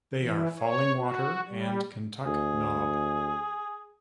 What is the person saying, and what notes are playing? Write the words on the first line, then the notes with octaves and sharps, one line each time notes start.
They are Fallingwater and Kentuck Knob.
E3
C#5
F#4
G3
D2 G#4